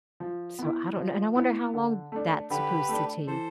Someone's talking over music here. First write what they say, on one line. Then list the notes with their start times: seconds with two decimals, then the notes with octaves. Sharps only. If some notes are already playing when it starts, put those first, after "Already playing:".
So I don't know and I wonder how long that's supposed to take.
0.20 F3
0.59 B3 E4
0.97 F3
1.35 B3 E4
1.74 D3
2.12 A3 D4
2.50 D3 G4 B4
2.89 A3 D4
3.27 E3 A4 C5